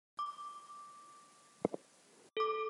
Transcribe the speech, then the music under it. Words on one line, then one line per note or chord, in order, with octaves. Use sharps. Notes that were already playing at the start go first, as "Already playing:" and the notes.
Buildings can be destroyed if a monster directly attacks or is thrown into it.
D6
A4 D6